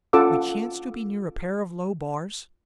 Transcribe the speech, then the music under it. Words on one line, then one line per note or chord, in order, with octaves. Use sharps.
We chanced to be near a pair of low bars.
C#4 F4 A4 F#5 D6 E6